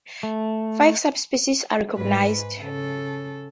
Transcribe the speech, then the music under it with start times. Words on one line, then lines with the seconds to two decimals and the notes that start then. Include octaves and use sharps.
Five subspecies are recognized.
0.23 A3
1.96 G#2 B4
2.61 C#3 A4